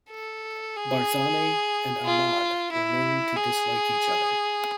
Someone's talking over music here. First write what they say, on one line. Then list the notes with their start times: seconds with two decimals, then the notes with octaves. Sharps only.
Barzani and Ahmad were known to dislike each other.
0.11 A4
0.76 G#4
2.06 F4
2.72 E4
3.36 G#4